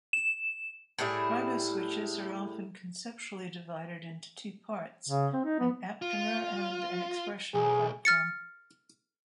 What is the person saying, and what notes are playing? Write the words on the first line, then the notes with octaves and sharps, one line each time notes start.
Riboswitches are often conceptually divided into two parts: an aptamer and an expression platform.
E7
A2 G3 E4 G#4
C#3
C4
D#4
B3
F4
B1 G#4
F6 A6 C#7